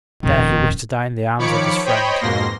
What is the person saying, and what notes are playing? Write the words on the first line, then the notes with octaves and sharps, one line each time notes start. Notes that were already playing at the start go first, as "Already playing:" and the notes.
There he wished to die in the arms of his friend.
D#1 F2 D#3
D#3 F3 C#5 B5 D6 C#7
C5 C#5 D#5 G5 B5
F2 G#2 B2 A#3 C6 A#6